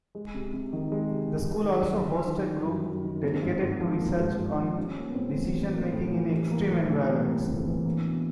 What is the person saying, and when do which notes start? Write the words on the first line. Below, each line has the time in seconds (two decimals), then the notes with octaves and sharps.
The School also hosts a group dedicated to research on decision-making in extreme environments.
0.15 G#3
0.34 C3
0.53 C3
0.73 D#3
0.92 G#3
1.11 C3
1.31 C3
1.50 D#3
1.69 G3
1.88 F#2
2.07 F#2
2.27 D#3
2.46 G3
2.66 F#2
2.84 F#2
3.04 D#3
3.22 A#3 C4
3.42 G#2
3.62 G#2
3.81 F3
4.00 A#3
4.19 G#2
4.39 G#2
4.58 F3
4.77 G3 C#4
4.96 A#3
5.09 B3
5.15 A2 C4
5.35 E3
5.54 G3
5.73 A#3
5.92 A2
6.13 E3
6.31 G3
6.51 A#3
6.70 A2
6.89 E3
7.09 G3
7.28 A#3
7.47 A2 C4
7.66 E3
7.85 A#3 D4
8.05 B2